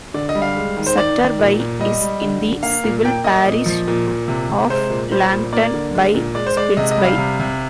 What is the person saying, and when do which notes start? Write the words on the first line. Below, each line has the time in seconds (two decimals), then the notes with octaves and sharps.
Sutterby is in the civil parish of Langton by Spilsby.
0.14 D3 D5
0.29 D#5
0.35 G3
0.42 F5
0.57 G#3
0.77 D#3
0.86 C5
0.98 D#3 D5
1.18 D#3
1.39 A#2
1.60 A#2
1.79 G3 D#5
2.01 G3
2.21 D3
2.42 D3
2.63 A#3 F5
2.84 A#2
3.05 A#3 G5
3.24 A#3 D#5
3.45 A#2
3.66 F3
3.88 A#2
4.08 A#2
4.28 C3
4.50 C3
4.70 G#3 C5
4.90 A#2
5.11 G3 C5
5.32 A#2
5.52 A#3 D5
5.74 D3
5.95 G#3
6.15 A#2
6.35 G#3 D5
6.46 C5
6.57 G#3 D5
6.77 C3 D#5
6.91 D#5
6.97 G3
7.05 F5
7.18 C3
7.40 C3